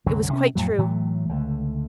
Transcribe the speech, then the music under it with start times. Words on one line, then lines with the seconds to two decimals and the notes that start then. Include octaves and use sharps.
It was quite true.
0.06 C2 F#2 D3 F#3
0.33 C3 C#4
0.55 F2 A2 F#3
0.78 A2 E3 F#3 A3
1.29 C#2 D3 A3